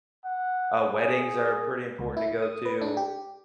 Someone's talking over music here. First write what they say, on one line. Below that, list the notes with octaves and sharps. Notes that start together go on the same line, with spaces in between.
uh, weddings are pretty important to go to.
F#5
G#4
C#2
E4
D#6
B4
D4
G4